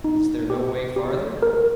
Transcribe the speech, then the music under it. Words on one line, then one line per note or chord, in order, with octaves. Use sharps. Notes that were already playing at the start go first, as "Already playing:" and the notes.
"Is there no way farther?"
D#4
G4
G4
A#4